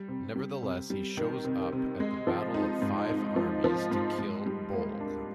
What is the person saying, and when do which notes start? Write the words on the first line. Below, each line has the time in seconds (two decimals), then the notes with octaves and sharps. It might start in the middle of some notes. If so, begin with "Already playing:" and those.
Nevertheless, he still shows up at the Battle of Five Armies to kill Bolg.
Already playing: G3
0.08 C3
0.36 G3
0.63 C3
0.90 G3
1.17 D#3
1.45 C3
1.72 C3
2.00 G#3
2.27 F3
2.54 D#4
2.82 G#2
3.10 D#4
3.36 F3
3.64 F3
3.91 G#2
4.19 G#2
4.46 G3
4.73 A#3
5.00 D4